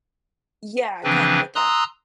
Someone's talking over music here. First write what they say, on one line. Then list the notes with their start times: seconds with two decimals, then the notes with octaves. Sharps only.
Yeah. Kinda like that.
1.04 C#3 E3 F3 C4 D4 B4
1.55 A#5 C6 D#6 E6 F#6